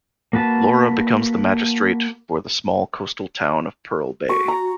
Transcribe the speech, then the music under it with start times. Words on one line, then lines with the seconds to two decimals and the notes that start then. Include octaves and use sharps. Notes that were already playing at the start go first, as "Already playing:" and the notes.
Laura becomes the magistrate for the small coastal town of Pearl Bay.
0.33 A#3 F#4 B4 A5
4.29 F#4 C#6
4.48 A#5